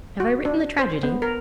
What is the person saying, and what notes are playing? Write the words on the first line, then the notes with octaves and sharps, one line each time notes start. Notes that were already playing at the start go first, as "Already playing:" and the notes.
Have I written the tragedy?
F#4
D4
C5
B3
A#4